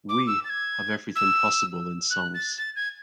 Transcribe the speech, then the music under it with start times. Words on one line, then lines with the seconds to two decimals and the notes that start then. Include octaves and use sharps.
"We" have everything possible in songs.
0.09 D6
0.27 E6
0.45 A6
0.50 G#6
1.16 E6
2.10 F#6
2.34 A6
2.58 A6
2.76 G#6